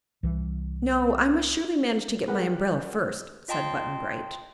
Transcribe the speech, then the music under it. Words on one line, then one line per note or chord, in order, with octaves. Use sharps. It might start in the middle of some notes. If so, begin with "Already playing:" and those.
"No; I must surely manage to get my umbrella first," said Button-Bright.
C2 E3
G4 G#4 A#4 B4 F#5
F4 D#5 G5 A5 C6